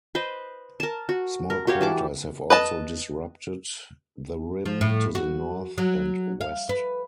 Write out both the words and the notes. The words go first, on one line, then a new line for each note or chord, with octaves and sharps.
Small craters have also disrupted the rim to the north and west.
B4 C5 D#5
A#4 A5
F#4
A#4
F#4 G4 C#5 F5
E3 A5 D6
B4 D#5 A5
F3
A2
F#4
F#3
F5
B4